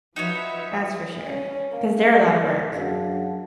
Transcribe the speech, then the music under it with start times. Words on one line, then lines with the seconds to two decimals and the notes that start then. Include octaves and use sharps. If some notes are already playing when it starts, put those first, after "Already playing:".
that's for sure, 'cause they're a lotta work,
0.16 F3 D#4 F#4 B4 C#5 E5
1.27 C#4
1.72 A#3
2.76 F#2 D4 G#4 F5 F#5